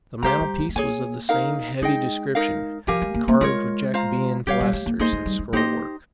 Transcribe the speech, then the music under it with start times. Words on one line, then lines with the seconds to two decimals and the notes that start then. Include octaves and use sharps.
The mantelpiece was of the same heavy description, carved with Jacobean pilasters and scroll-work.
0.23 G#3 G4 C5 F5 A#5
0.41 G3
0.59 G#3
0.69 G#3
0.75 A#3 G#4 C#5 G#5
1.29 D#4 A#4 F5
1.82 G#3 D#4 G#4 D#5 G5
2.35 D#4 A#4 F5
2.87 F3 G4 A#4 F5 G#5
3.02 G#3
3.14 A#3
3.28 A#3
3.41 G#3 F4 A#4 C#5
3.94 F4 C5 F5 A#5
4.47 G3 G4 C#5 F5
4.60 G3
4.73 G#3
4.86 A#3
4.99 A#3 D#4 G#4 C5 D#5
5.13 G#3
5.26 G3
5.39 G#3
5.53 A#3 D#4 G4 C5 D#5